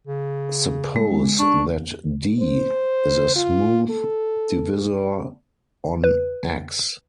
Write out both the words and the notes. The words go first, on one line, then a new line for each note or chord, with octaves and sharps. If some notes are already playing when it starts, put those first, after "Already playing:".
Suppose that "D" is a smooth divisor on "X".
C#3
G#3
D4 C#6
C5
F4
A4
B4